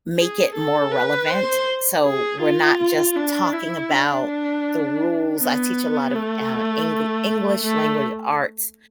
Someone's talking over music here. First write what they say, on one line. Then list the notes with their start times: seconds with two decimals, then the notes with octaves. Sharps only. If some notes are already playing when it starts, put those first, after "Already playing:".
make it more relevant, so, we're not just talking about the rules I teach a lot of, uh, Engl English, Language Arts,
0.18 G#4
0.55 A4
0.92 B4
1.30 C5
2.05 G#4
2.41 F4
3.16 D4
3.53 E4
3.90 D4
5.39 B3
6.14 A3
7.63 A3